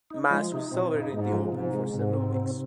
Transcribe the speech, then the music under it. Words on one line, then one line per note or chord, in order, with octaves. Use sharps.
Mass was celebrated in the open for several weeks.
D#4
F3 G#3
C3 D#4
A#2 C4
G2 D#4
G#2 G#3
F3
G#2 C3
G#3
G#2 C3
C4
C3